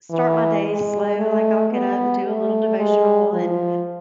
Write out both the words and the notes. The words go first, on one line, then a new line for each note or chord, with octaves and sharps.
start my day slow, like, I'll get up and do a little devotional and,
E3
G#3
A3
B3
A3
G#3
F3